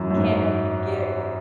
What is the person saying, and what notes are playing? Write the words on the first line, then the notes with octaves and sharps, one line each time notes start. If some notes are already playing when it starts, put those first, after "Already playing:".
can't get
Already playing: F#2 E3
F#2
G#2